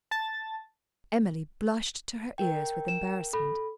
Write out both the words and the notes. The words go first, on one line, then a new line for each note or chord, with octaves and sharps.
Emily blushed to her ears with embarrassment.
A5 A6
A#4 G5
E7
A4 B5